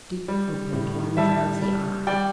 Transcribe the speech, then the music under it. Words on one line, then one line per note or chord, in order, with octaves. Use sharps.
Duke opened one drowsy eye.
G3
A2
G3 E5 A5
G3
G3 D5 G5